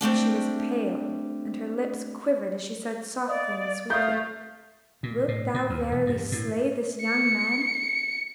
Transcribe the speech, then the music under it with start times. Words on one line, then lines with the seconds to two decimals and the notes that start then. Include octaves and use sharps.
But she was pale and her lips quivered as she said softly and sweetly: "Wilt thou verily slay this young man?"
0.01 G3 A3 C4 D4
3.28 D5 D#5 F5 D#6
3.90 A3 A4 F5 D#6 G6
5.03 A#2
5.28 A2
5.54 A#2
5.70 D#2
5.92 E1
6.06 G2
6.32 A2
7.02 C#7